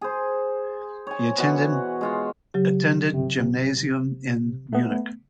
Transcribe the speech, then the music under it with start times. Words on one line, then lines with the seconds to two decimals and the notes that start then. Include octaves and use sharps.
He attended Gymnasium in Munich.
0.01 G#4 C5
1.07 C#5 G#5
1.37 B2 E3 F#4
2.01 G#3 F4 F#4
2.54 C#3 F#3 G4
3.12 G1 C3
4.73 A3 B3